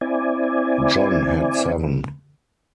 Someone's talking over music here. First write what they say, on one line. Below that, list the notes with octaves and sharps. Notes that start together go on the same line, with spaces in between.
John had seven.
C4 E4 D5 G#5